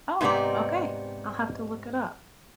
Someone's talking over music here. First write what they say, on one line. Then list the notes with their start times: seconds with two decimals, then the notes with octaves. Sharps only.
Oh, okay, I'll have to look it up.
0.21 G#2 C3 B3 D#4 G4 D5